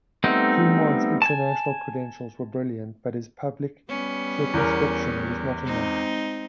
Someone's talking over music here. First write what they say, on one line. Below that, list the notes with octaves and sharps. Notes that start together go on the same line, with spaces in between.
Cumont's international credentials were brilliant, but his public circumspection was not enough.
G3 A3 B3 C4 D#4
G#5 A5
G3 B3 C#4
E2 A#4
G#3 C4 D#4